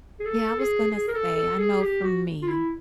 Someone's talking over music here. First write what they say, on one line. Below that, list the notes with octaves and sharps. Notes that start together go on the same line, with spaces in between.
Yeah, I was gonna say, I know from me
G#4
A4
G#4
G#4
A#4
A4
A4
G#4
G4
F#4
F4
E4